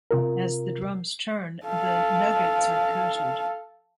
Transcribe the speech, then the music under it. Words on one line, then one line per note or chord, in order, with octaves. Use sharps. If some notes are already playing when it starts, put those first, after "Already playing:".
As the drums turn, the nuggets are coated.
C3 F4 A#4
A4 F5